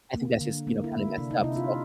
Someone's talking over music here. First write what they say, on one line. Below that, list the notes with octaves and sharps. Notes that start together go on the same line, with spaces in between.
I think that's just, you know, kind of messed up, So,
A#3
D3
A#3
E4
A#3
C3 D4
D#4
C3 E4
F4